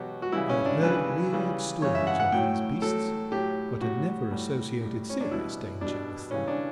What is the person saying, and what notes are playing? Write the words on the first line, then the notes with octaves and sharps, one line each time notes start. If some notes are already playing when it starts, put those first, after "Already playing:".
I had heard weird stories of these beasts, but had never associated serious danger with them.
Already playing: B2 F#3 F#4 G4
F#4
C#3 E3 G3 E4
C#4
D4
C#3 E3 G3 B4
C#3 E3 G3
C#3 E3 G3 C#5
E5
F#5
F#5
A2 F#3 G5
A2 F#3 A4
A2 F#3 G4
A2 F#3 F#4
A2 G3
A2 G3
C#4
D4
B2 G3 E4
B2 G3 D4
C#3 E3 G3 C#4
D4